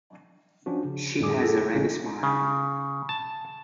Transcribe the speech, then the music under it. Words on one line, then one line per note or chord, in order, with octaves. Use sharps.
She has a ready smile.
F3 C#4 D4 F#4
C#3
F2 A2 D3 G3 G#4 D6
G#4 A4
A1 C#3 G#3 C#4 D#4
C#3
A5